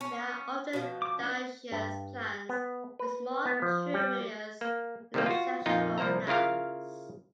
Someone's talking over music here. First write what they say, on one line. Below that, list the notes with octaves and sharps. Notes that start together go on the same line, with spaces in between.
They are often dioecious plants, with small, trimerous, unisexual flowers.
C#4
B2 F3
D6
C#4 D4
G2
B3
B4
B3
F3
G3
A#3
C3 D#3 G3 A3 A#3
F4 F#4
F2 A#2 D#4 F4
C2 F3 A#3 C5 A#5
C#3 E4 F4 A#4 F5